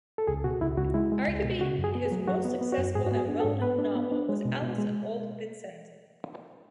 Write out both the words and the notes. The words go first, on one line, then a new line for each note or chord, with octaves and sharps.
Arguably his most successful and well-known novel was "Alice of Old Vincennes".
A4
C#2 G#4
B2 F#4
C#2 E4
C#2 F#4
G#3 E4
G#3
C#2
B2
C#3 F#4
F#2
G#4
B3
G#4
F#3
F#3 F#4
B3
B3
F#4
F#2
G#2 G#4
F#4
B3
G#4
D4
A4
G#2
B3 B4
D4
B3
D4
G#3
B2
B2
G#3